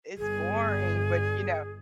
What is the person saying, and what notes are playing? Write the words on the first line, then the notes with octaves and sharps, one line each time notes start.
it's boring, but, you know
G1 G#4